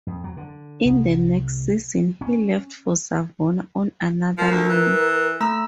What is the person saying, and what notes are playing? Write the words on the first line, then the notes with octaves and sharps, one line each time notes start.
In the next season he left for Savona on another loan.
F2
F#3
D3
C2
C#4
F3 A#4
D2
E3
A3 A#5 E6